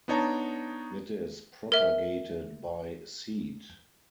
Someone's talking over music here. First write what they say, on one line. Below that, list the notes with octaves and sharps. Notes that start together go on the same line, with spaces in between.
It is propagated by seed.
B3 D4 D#4 C#5 A5 A#5
A#4 E5